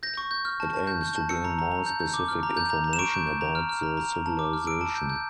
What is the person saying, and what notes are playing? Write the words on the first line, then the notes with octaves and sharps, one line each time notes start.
It aims to gain more specific information about the civilization.
G6 A#6
C#6
G6
F6
A5
A5
G6
G6
A5
E6 C#7
A#5
A#5
A#5
G6
G6
D6
F6
A#5
G6
A#5
A#5
E7
C#6 D7
G6
G6
A#5
F6
F6
A#5
A#5
A#5
A5
D6
F6
E6 D7
A5
G6
G6